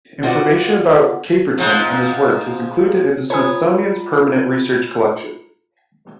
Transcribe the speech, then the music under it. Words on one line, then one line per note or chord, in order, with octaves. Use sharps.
Information about Caperton and his work is included in the Smithsonian's Permanent Research Collection.
B3 F4 F#4 C5 D5 F#5
G#2 F3
F4 C5 C#5 G#5 A#5 B5 D#6